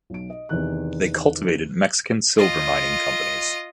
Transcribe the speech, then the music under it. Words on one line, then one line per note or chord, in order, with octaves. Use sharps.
They cultivated Mexican silver mining companies.
B1 D7
D#5
E2 C3 D#3 F#6
F4 D#5